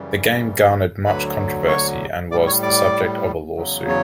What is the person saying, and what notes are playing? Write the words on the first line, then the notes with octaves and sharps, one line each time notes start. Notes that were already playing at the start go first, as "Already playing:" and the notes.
The game garnered much controversy and was the subject of a lawsuit.
Already playing: F#2 C#3 E3 G3
D2 D3 F#3 B4 B5
C#5 C#6
A2 G3 D5 D6
C#5 C#6
D5 D6
E2 C#3 F#3
C#5